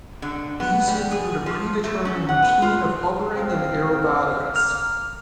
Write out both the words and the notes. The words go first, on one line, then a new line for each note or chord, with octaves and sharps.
These include a predetermined routine of hovering and aerobatics.
D3
B3
G3
G#4
F3
A3
C#4
F#5
B3
F4
C4 F5
A#3 F6